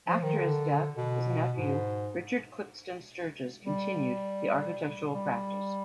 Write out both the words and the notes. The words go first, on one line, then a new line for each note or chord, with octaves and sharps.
After his death, his nephew Richard Clipston Sturgis continued the architectural practice.
F3
D#3
D3
B2
G#2
G3
G3